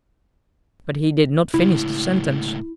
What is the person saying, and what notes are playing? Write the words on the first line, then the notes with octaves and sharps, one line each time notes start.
But he did not finish the sentence.
C#2 A2 E4